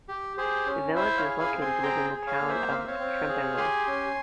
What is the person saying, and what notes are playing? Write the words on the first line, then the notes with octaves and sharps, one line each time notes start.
The village is located within the Town of Trempealeau.
G4
G4 G#4 C5
C#4
E4 C5 E5
C#5 F5
G#4
F5 G#5
C4
G#5 C6
G#4 G5 A#5
G#4
C#5 F5
A#3
C5 E5
C4 F5
E5
C#5 F5
C4
G#4
G4 G#5 C6
C#4